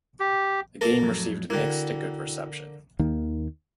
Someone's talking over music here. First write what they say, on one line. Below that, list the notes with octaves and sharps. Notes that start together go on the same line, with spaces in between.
The game received mixed to good reception.
G4
A#3 A4 A#4
F2 A2 F#3
D3 A#3 E4 F#4 G5
D#2 D#3 A#3